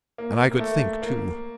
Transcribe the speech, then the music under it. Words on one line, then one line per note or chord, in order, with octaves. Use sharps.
And I could think, too.
A#3
A#3
A3
A#3